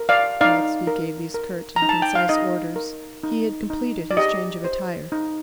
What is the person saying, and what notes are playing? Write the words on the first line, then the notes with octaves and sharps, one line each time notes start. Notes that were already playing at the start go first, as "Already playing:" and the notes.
Whilst he gave these curt and concise orders, he had completed his change of attire.
Already playing: A#4
D5 F5
D#4 D5 F5
A#4
A#4
A#5
D#4
A5
G5
F5
D#4 D#5
A#4
D#4
D#4
D5
G4 D#5
C5
D#4